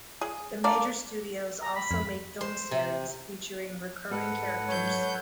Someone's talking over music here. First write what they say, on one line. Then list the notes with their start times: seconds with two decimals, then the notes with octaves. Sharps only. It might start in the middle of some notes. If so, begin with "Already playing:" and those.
The major studios also made film series featuring recurring characters.
0.21 G#4
0.64 A#3 D4 A#4 D5
1.61 A#5
1.75 B5
1.91 F2
2.41 C5
2.71 C3
4.11 G#2 A4 B4 F#5
4.68 F#3 C#5 G6